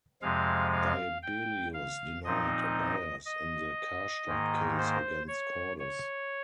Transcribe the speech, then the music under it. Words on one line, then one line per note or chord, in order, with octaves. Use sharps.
Dibelius denied a bias in the "Karstadt" case against Cordes.
F2 C3 F3 G#3 F5
F5
G5
F5
A#2 F3 C4 D#4 D#5
D#5
G#2 D#3 A#3
C5
C#5
C#5